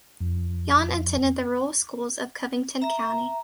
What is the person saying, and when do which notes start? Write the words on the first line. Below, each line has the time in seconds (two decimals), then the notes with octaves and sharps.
Yawn attended the rural schools of Covington County.
0.20 F2
2.81 E5 A#5